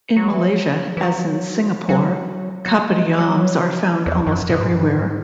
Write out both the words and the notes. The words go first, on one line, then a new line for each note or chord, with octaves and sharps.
In Malaysia, as in Singapore, kopitiams are found almost everywhere.
F#3
E3
F#3
E3
F#3
F#3
F#3
G#3
F#3
E2
F#2
B2
G#2
F#2
G#2